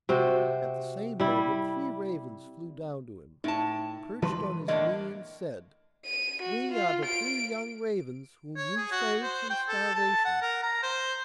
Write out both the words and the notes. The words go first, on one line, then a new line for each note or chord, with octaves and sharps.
At the same moment three ravens flew down to him, perched on his knee and said, 'We are the three young ravens whom you saved from starvation.
C3 C4 F#4
G3 E4
A2 D#4 A5
E3 G3 G#3 B4 A5 C6
A2 D3 A#3 D#5 A5
D#7
F#4
F4
D7
C#5
G#4
F#4
C5
G5
A4
A5
F#5
A#4
A#5
C5